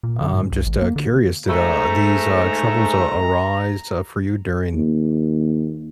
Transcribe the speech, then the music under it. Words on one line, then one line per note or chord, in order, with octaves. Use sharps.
I'm just, uh, curious, did, uh, these, uh, troubles, uh, arise, uh, for you during
A#2
D3
G#2
C2
A1
A#3
D3
G#2 A3 A#5
D#2